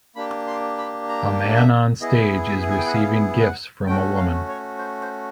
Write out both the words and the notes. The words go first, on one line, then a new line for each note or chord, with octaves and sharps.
A man on stage is receiving gifts from a woman.
A#3 D4 G4 B5
C6
B5
A#5
E5
B3 E4 G#4 D#5
E5
G#5
G5
F#5
F5
F#5
A3 C#4 F#4 G5
F5
C#5
C5
C5